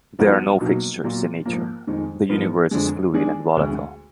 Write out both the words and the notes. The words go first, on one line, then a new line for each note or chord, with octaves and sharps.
There are no fixtures in nature. The universe is fluid and volatile.
F3 B3 D#4 F#4 A#4
B2 F#3 A#3 D#4
A#2 F#3 A#3 F4
G#2 F3 A#3
F2 D#3 G#3 D#4 G#4
G#2 F3 B3 D#4 A#4
F2 D3 G#3
D#3 G#3 D4 G#4
D2 D3 G#3